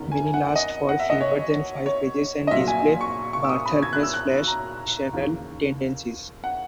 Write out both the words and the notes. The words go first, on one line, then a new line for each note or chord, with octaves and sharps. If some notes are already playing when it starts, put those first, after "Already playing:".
Many last for fewer than five pages, and display Barthelme's flash fictional tendencies.
Already playing: F#1 E2 D#3
G#5
G#5
F#5
D#5
F#5
E5
D#5
C#5
C#5
D#5
A#1 A#2 F#3 E5
G#5
C#6
C#6
E6
D#6
B5
G#6
F#6
E6
F#6
A#5
D#2 C#3 E3
F#5